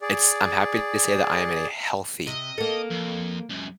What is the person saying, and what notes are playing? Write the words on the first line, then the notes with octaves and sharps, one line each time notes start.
It's I'm happy to say that I am in a healthy
G#4 D5
C3 D#5
A#3 A4
F2
C#2 F#2